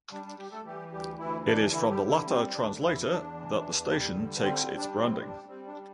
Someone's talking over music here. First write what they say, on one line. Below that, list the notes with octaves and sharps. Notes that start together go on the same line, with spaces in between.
It is from the latter translator that the station takes its branding.
G3 D4
D4
G3 G4
A3 A4
E3 G3 G4
D2 G3 G4
D2 E3 E4
E3 D4
D3 E3 E4
G3 G4
D3
E3 E4
G3 C4
D2 D4
E2 E3 E4
E2 D4
E3
E2
G3
D3
G3 C4
C4
G3
D4
A2 C4
G3 D4
G3 C4
D4
G3